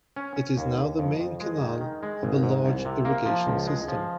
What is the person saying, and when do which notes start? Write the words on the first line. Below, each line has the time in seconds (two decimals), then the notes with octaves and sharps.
It is now the main canal of a large irrigation system.
0.16 C#4
0.36 C#4
0.57 D#2
0.78 D#2
0.99 F2
1.20 F2
1.40 G#3
1.61 D#3
1.81 D#3
2.03 G#3
2.23 G#1
2.43 G#2
2.65 C2
2.85 C3
3.05 A#3
3.26 F3
3.47 C#2
3.67 G#3
3.88 F3